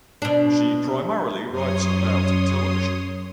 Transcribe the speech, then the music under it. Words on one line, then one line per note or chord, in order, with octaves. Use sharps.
She primarily writes about television.
B2 D4
F#2 C#5 C6 D#6